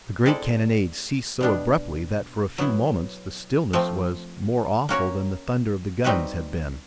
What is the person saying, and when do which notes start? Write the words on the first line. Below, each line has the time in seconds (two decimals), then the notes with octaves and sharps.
The great cannonade ceased so abruptly that for a few moments the stillness was more awful than the thunder of the guns had been.
0.26 G#3 C4 E4 A4 D5
1.41 B2 G3 B3 D4
2.58 F#3 B3 E4
3.73 F3 A3 C4
4.89 A#3 C#4 F#4 A#4 C#5
6.04 G3 C4 D#4 F#4 B4